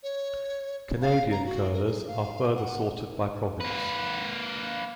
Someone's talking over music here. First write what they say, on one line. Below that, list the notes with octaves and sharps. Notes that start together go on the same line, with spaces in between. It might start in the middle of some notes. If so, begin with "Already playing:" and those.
Canadian curlers are further sorted by province.
C#5
F5
A#5
F#4
A#4
G#4
F5
F#5
A#3 B4